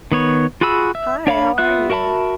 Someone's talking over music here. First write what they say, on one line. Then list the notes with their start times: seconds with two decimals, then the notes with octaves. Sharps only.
Hi, how are you?
0.12 D#3 B3 C#5
0.61 F4 F#4 G#4 B5 E6
0.95 E5
1.27 D4 C#5 F5 B5
1.58 B3 F4 E5 F#6
1.90 F#4 A#4 E5 A5 B5